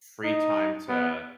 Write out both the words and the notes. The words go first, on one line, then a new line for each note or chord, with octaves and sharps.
free time to
D#4
B3